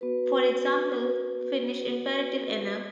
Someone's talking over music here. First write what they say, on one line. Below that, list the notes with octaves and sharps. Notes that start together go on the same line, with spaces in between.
For example, Finnish imperative anna!
B3 F#4 B4